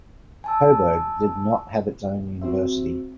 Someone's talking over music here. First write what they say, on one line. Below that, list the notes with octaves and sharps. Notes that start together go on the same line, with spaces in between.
Coburg did not have its own university.
G#5 A5 E6
C4 F#4 C5 E5